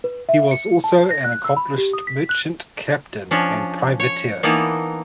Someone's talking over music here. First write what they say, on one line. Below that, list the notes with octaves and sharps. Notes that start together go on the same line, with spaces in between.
He was also an accomplished merchant captain and privateer.
B4
E5
C#7
A5
A#6
F#6
E6
B5
G4
D#6
B6
F#6
F3 C#4 D4
C#5
E3 A#3 B3 D#4 A5